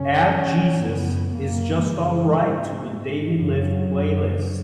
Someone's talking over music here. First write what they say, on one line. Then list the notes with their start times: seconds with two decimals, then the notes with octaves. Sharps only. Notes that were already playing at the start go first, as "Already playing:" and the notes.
Add jesus is just alright to the Daily Lift playlist.
Already playing: F#2 C#3 C#4
0.33 G#2 C#4
0.85 F#2 C#3 B3
1.36 F#2 C#3 A#3
1.86 F#2 C#3 G#3
2.37 G#2
2.89 G#2
3.39 F#2 C#3 F#3
3.90 F#2 C#3